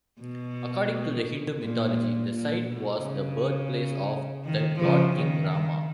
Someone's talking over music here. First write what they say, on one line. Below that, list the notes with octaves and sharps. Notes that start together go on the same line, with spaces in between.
According to Hindu mythology, the site was the birthplace of the God-king Rama.
B2
A#2
A#2
B2
C#3
D#3
C#3 F3
D#3